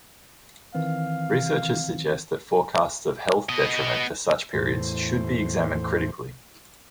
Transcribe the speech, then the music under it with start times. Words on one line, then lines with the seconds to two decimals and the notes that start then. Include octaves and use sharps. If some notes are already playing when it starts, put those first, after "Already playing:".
Researchers suggest that forecasts of health detriment for such periods should be examined critically.
0.75 D#3 E3 C4 F5
3.49 B3 D#5
4.53 E2 A2 C5